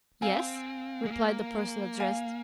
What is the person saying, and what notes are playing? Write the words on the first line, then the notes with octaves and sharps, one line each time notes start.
"Yes," replied the person addressed.
C4 F5 G#5
G#3
A#3
F5 G#5